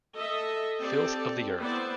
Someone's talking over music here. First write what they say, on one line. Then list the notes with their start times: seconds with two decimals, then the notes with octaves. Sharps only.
Filth of the earth!
0.15 A4 D#5 E5
0.79 C4 G4 A4 D5
1.59 B3 E4 C5 D5